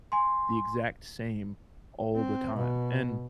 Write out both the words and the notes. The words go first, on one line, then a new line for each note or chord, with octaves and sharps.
the exact same all the time. And
G#5 C6
C4
B2